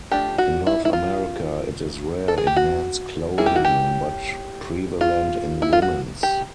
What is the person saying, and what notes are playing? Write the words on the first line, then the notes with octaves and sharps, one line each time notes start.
In North America it is rare in men's clothing, but prevalent in women's.
F3 A3 D4 G4
F#4
E4
E4
F4
A4
G#4
G4
F#4
G3 A#3 C#4 E4 G#4
G4
F#4
G4
F4
E4
F4
F#4
G4